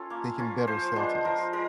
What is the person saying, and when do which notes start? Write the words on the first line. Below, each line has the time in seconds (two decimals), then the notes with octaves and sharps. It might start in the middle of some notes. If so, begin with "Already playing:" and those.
they can better sell to us.
Already playing: C#4 F4 A4
0.10 A#3
0.39 C#4 F4
0.67 F3 C5
0.96 G#3 B3 D4 C5
1.25 F3 A#4
1.53 G#3 A#4